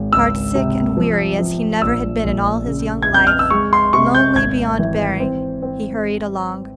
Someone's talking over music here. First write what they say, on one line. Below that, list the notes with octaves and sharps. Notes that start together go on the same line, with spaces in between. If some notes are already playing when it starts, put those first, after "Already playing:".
Heartsick and weary as he never had been in all his young life, lonely beyond bearing, he hurried along.
Already playing: G#1 G#3
C#2 E6
C3
F3
F3
A#1 E6
A#1
C#3
G#6
F2
G6
F6
E6
G#3 C#6
C6
C3 C#6
G6
G#1 G#6
E3
C4
C4